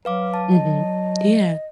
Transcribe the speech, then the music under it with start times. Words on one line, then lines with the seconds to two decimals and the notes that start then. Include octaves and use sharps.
Mhm, yeah.
0.05 F#3 B4 F5 D6
0.34 A5
0.51 D#5